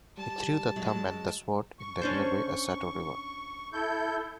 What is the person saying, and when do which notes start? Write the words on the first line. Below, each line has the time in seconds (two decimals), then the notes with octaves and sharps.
He threw the thumb and the sword in the nearby Asato River.
0.17 G3 A5
0.76 F#3 G#3
1.79 C#6
2.01 C#4 D4 C5
3.73 E4 A4 G6